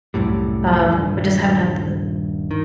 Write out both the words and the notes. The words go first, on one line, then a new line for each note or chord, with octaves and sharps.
um, we just haven't had the
C2 F#2 A2 G3
D#1 G2
D#3